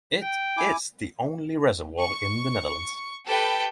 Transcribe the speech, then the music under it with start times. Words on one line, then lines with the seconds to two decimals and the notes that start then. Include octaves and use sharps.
It is the only reservoir in the Netherlands.
0.22 G5
0.57 E4 G#5 D6
2.00 C#6
3.25 G4 A4 B4 G5